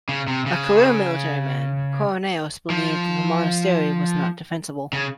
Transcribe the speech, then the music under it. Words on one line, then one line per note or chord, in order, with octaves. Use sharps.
A career military man, Koronaios believed that the monastery was not defensible.
C#3
C3
C#3
F3
C#3